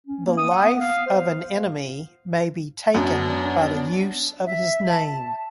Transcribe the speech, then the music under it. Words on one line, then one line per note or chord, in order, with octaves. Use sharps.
The life of an enemy may be taken by the use of his name.
C#4
A#3
D#6
F#5
B3
F5
C5
F#2 B3 D4
E5
A5